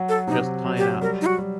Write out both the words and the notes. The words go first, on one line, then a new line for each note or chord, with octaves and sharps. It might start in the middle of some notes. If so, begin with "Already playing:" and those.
Just tie it up!
Already playing: F#3 F#4
A4
C3 D#4
F#3
G4
G3 A#4
D#4
F#4
G3